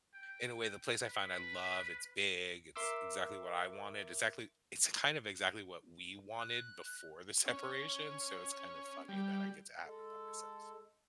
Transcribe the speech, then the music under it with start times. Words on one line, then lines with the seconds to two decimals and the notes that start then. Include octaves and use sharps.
in a way, the place I find I love, it's big, it's exactly what I wanted, exactly It's kind of exactly what we wanted before the separation, so it's kind of funny that I get to have it by myself.
0.14 G5
1.06 B4
2.76 A#4 E5 C6 D6 E6
6.39 F#6
7.46 C#4
9.08 G3
9.85 G#3 A4